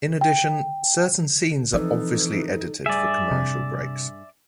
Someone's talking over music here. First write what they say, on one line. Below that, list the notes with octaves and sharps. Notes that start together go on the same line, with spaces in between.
In addition, certain scenes are obviously edited for commercial breaks.
G5
E3 F3 C4 D#4 A4
G2 G#4 D5 E5
C3